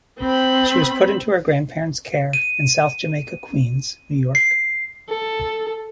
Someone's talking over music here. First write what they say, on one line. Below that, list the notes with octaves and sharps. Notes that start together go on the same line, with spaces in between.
She was put into her grandparents care in South Jamaica, Queens, New York.
C4 B5
D#7
C7
A4